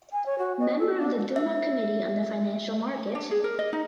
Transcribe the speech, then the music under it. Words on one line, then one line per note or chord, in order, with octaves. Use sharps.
Member of the Duma Committee on the Financial Market.
G#5
C#5
F#4
D#5
A4
D4
E5
D4
G#4
A#4
D#5
D#4